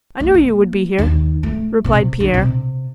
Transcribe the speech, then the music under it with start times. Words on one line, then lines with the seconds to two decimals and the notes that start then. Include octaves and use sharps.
"I knew you would be here," replied Pierre.
0.20 A#3
0.34 A#3
0.98 D#2
1.43 A3
1.84 C3
2.20 D3
2.34 C3